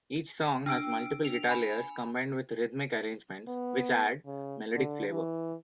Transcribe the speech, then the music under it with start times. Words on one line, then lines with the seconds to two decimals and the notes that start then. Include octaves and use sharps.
Each song has multiple guitar layers combined with rhythmic arrangements, which add "melodic flavor".
0.66 D4 G5 E6 D7
1.25 F7
1.49 G#5 B5
3.48 B3
4.26 C#3
4.75 D3
5.10 E3